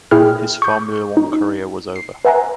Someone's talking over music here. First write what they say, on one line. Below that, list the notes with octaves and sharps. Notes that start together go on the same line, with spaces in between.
His Formula One career was over.
A#2 E4 G#4 G5 F6
C#6 G6
D#4
C7
B4 E5 F#5 G#5 A#5